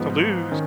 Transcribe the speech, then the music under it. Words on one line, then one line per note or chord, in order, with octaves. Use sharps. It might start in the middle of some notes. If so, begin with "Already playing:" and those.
to lose.
Already playing: G#2 F3 B3
D#3 C#4